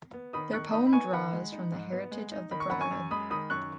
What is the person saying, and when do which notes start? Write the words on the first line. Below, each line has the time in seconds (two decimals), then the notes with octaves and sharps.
Their poem draws from the heritage of the brotherhood.
0.13 B3
0.33 D#3 B5 D#6
0.53 D#3 C#6 F#6
0.73 D#4 B5 D#6
0.87 B5
0.93 B3 G#5 C#6
1.13 D#3 F#5 B5
1.33 G#3
1.52 D#4
1.72 G#2
1.92 B3
2.11 G#3
2.32 D#4
2.51 D#3 B5
2.60 C#6
2.70 F#2 F#5 B5
2.81 G#5 C#6
2.91 F#2
3.11 G#3 B5 D#6
3.30 D#3 B5 D#6
3.50 F#2 C#6 F#6